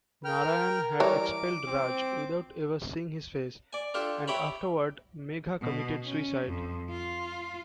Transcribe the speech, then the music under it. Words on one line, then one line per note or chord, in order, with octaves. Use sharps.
Narayan had expelled Raj without ever seeing his face, and afterward Megha committed suicide.
A#4 G5 F6
E3 G3 C#5 D6
C4
D5 G#5
D4 F4 G4 A4
E4 G4 C#5 G5 A#5 B5
B2
C#4
F2
F4